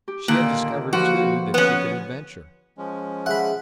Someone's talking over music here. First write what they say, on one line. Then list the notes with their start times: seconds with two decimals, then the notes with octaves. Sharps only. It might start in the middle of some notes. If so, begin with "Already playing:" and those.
She had discovered, too, that she could adventure.
0.08 G4
0.28 A#2 D3 D#3 A#3
0.93 F3 F#4 G4 B4
1.54 B3 C#4
2.78 F3 G#3 C#4
3.26 G#4 E5 F#5 B5